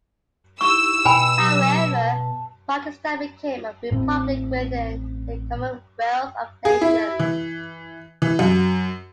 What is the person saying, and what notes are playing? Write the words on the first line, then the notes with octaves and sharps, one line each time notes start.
However, Pakistan became a republic within the Commonwealth of Nations.
D#4 E4 G4 C#6 E6
B2 G5 G#5 B5
F#3 G4 D6
A5
A1 A2 C#3 C4
G#4
E4
E3
E3
F#2